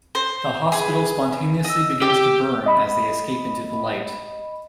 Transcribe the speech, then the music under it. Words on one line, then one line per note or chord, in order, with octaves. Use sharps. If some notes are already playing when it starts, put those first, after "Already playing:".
The hospital spontaneously begins to burn as they escape into the light.
C5
G#4 B4
D#5 E6
G4 G5 E6
D#5 B5